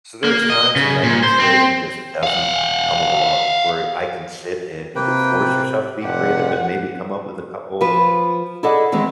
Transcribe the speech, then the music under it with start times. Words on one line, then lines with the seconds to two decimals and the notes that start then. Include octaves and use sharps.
so there's times when that inspiration just doesn't come along where I can sit and you could force yourself to be creative and maybe come up with a couple
0.24 A#3
0.50 D#5
0.76 C#3
1.03 A#2
1.23 C5
1.40 C4
2.23 F5 F#5
4.96 C3 A#3 B4 G5
6.03 F1 G4 F#5
7.81 F3 B4
8.63 E4 G#4 A4 D5 D#5 F#5
8.92 D#3 E3 G#3 C4 D#4